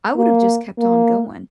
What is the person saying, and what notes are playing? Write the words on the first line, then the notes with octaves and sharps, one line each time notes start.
I would've just kept on going
A#3
A#3